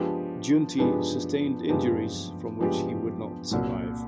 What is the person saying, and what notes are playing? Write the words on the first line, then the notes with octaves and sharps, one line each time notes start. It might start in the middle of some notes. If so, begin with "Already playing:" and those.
Giunti sustained injuries from which he would not survive.
Already playing: F3 G#3 B3 D4 G4
F3 G#3 B3 D4 G4
F3 G#3 B3 D4 G4
F3 G#3 B3 D4 G4
C2 A#2 F#3